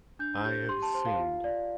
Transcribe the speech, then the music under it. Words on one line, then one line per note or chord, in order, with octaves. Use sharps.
I have sinned.
D4 G6
G4 C5 G6
G4 C6
A5
C5 C6
F5
F4
D5